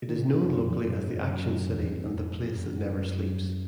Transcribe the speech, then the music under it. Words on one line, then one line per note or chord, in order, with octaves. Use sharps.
It is known locally as the action city and the place that never sleeps.
D#3
C#3
C3
G2
F#2
F#2
F2
F#2
F#2
G#2
F#2
E2
F2
F2
F#2
F2
F#2